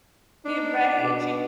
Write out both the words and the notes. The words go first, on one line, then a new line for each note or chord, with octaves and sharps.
e right, she
D4 D#4
B2